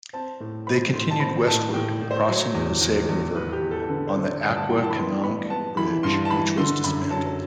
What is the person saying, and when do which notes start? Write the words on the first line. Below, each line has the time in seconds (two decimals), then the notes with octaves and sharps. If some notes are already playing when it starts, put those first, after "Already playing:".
They continued westward, crossing the Passaic River on the Acquakanonk Bridge, which was dismantled.
0.13 C4 A5
0.40 A2
0.67 C4 B5
0.94 A2 C6
1.11 A5
1.20 C4 B5
1.47 A2 A5
1.74 A2 G5
2.01 A2
2.11 C5
2.28 F#3
2.54 E2
2.81 E2
3.09 E2
3.35 E2 B4
3.53 G4
3.62 E2
3.71 A4
3.82 A4
3.88 D3 B4
4.07 C5
4.16 D3
4.24 D5
4.42 G2 D5
4.56 A5
4.63 F#5
4.69 E3 G5
4.83 A5
4.91 B5
4.96 B3 C6
5.23 B3 B5
5.50 B3 A5
5.77 E3 B5
6.03 G2 C6
6.25 A5
6.30 E3 B5
6.57 D3 C6
6.84 F#2 B5
7.10 F#3 A5